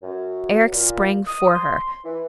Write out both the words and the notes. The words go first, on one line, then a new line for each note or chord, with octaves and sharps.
Eric sprang for her.
F#2
A#2
D#6
C6
E3